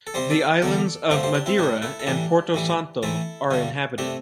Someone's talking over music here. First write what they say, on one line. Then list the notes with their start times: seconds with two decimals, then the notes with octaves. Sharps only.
The islands of Madeira and Porto Santo are inhabited.
0.07 A4
0.14 C3 G3 G4 C5
0.30 A4 D5
0.62 E2 D3 G3 A4 D5
1.10 G2 D3 A3 G4 C5
1.23 G4 C5
1.34 D4 G4
1.46 C4 E4
1.58 A2 G3 D4 G4
1.82 E4 A4
1.99 A4
2.06 A2 E3 G3 D4 G4
2.54 A2 E3 G3
3.03 A2 E3 A3 E4 A4
3.51 G2 D3 G3
3.98 C3 A3 D4 G4